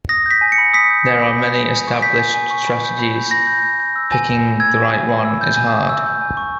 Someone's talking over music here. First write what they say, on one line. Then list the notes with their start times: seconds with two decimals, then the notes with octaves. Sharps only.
There are many established strategies, picking the right one is hard.
0.09 D#6 A#6
0.26 G6 B6
0.41 G#5
0.52 C#7
0.58 B5
0.73 D#6 B6
0.90 G6
1.06 G#5
1.22 B5
1.38 G6
1.54 G#5
1.70 G#5
1.87 C#6
2.02 G6 B6
2.19 G#5
2.34 G#5
2.51 C#6
2.67 B5
2.84 G6
2.99 B5
3.16 G6
3.31 B5 A#6
3.47 G6
3.63 B5
3.80 G6
3.96 E6
4.12 G#5
4.28 G#5
4.45 B5
4.60 E6 G#6
4.76 G#5
4.93 G#5
5.09 B5
5.25 E6
5.41 G6
5.57 G#5
5.73 C#6
5.89 E6
6.06 G6
6.22 G#5
6.37 C#6